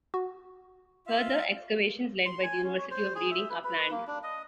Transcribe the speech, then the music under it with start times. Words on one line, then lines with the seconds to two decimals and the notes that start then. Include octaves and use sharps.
Further excavations led by the University of Reading are planned.
0.14 F#4
1.07 F4 E5 F5
2.26 C6
2.43 G#5
2.64 C#4
2.78 C#5
2.91 C5
3.15 G#4
3.31 E5
3.50 B4
3.64 B4
3.91 A#3
4.07 D4
4.23 D#5